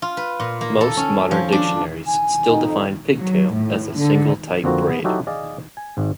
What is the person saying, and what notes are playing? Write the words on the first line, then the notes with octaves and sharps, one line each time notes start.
Most modern dictionaries still define "pigtail" as a single tight braid.
F4
B4
A#2
A#3
A4
C#4
F3
D4
G#5
F2 D#4
F#3
A2
D3
F2 D3 A#3 C4 F#4 A#5
B3
F#3 D#4 E4 F#4 G4 A4
G#4 D5 D#5 F5
G#5
G#1 G#2